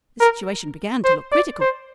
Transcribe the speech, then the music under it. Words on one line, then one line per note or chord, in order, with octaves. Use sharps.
The situation began to look critical.
A#4
C5
D5
C5